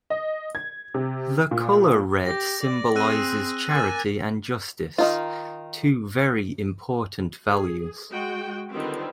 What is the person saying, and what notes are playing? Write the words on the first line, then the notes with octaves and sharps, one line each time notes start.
The colour red symbolizes charity and justice, two very important values.
D#5
G#6
C3
A#2
G4 A#6
D5
C4 G#4 E6 F#6 D#7
A#4 G#5 D6 A6
D#3 D#4 F4
G#4
G#3 F#4 G5
D3 D#3 G3 C4 F4 B4